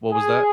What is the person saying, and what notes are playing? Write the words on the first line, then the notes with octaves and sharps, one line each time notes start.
What was that?
G#4